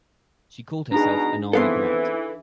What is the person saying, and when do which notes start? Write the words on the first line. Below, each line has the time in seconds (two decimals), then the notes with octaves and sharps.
She called herself an "army brat".
0.92 B2 D4 D#4 G#4 A#5
1.53 E3 B3 C4 A4 F5 C6